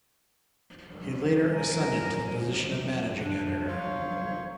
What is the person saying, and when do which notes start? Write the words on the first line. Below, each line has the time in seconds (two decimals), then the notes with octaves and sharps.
He later ascended to the position of managing editor.
1.52 A#4 G#5
3.20 D4
3.68 F#3 C5 C#5 F5 C#6